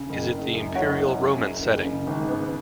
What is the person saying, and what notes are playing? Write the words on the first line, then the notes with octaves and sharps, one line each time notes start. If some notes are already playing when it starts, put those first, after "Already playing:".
Is it the Imperial Roman setting?
Already playing: C#3
F#1
F#1
F#2
F#1 C#5 F#5
F#2
F#2
F#1
F#1
C#3
G#1
B3